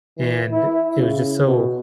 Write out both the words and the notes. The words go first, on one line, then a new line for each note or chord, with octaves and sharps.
and it was just so
E3
E4
C#3
B2